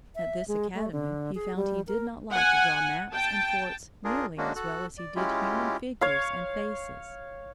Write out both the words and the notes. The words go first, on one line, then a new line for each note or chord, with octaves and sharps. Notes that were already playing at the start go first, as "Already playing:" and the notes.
At this academy he found he did not like to draw maps and forts nearly as well as he did human figures and faces.
E5
G#3
A3
D3
G#4
G3
A#4
F#5 G#5
G5 A5
D4 F4 G#4 A#4
G#3 A#3 C#4 D4 F#4
F#4 A4 F#6
D5
G#3 C#4 E4 F4 G4
C#5 F5